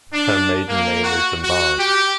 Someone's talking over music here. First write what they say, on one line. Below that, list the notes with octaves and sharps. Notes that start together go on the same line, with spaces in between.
Her maiden name is Demand.
D4
A#3
F#4
F#4
G4